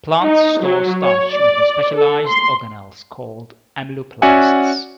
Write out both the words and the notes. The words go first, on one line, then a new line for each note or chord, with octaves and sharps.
Plants store starch within specialized organelles called amyloplasts.
D#4
F#3
C#5
D5
A4
C6
C#4 F#4 D5 E5 F#5 G#5